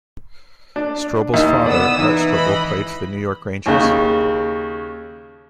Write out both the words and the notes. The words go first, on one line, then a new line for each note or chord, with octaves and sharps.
Strobel's father, Art Strobel played for the New York Rangers.
D4
D#2 A#3 E4
C#3 B3 D5 D#6 E6
E3 D#4
G#1 D#5 B5
D#2 C#3